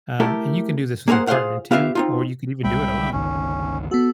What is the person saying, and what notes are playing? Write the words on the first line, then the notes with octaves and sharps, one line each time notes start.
um and you can do this with your partner too, or you can even do it alone,
A3 E4 G4 A4 A#4
A#3 G#4 A#4 C5 F#5
F4 G#4 A#4 C5 F5 F#5
B3 F4 G4 E5 F5
C4 D#4 F4
C2 G3 G#3 E5 G5 B5
G1 C#2 D#3 C#4
B3 F#4 A4